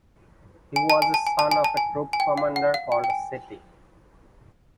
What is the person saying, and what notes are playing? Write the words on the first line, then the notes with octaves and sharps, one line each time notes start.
He was a son of a troop commander called Seti.
G#5
A5
G#5
A5
G#5
A5
G#5
A5
G#5
G#5
G5
F5
F#5
F5
G5
G5
G#5